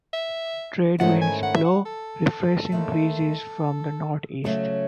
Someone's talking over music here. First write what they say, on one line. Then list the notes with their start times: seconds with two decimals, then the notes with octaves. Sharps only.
Trade winds blow refreshing breezes from the northeast.
0.13 E5
0.98 G#2 D#3 A3 C#4 E4 F#5
1.21 G#5
1.43 F#5
1.55 E5
1.64 F#5
1.86 A4
2.72 D#2 D#3 A3
4.44 C#3 F#3 A3 C#4